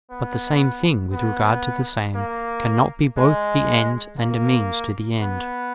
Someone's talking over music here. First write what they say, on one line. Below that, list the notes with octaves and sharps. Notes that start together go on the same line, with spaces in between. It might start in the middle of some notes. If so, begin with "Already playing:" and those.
But the same thing, with regard to the same, cannot be both the end and a means to the end.
B3
B3
A#3
G#3
A#3
B3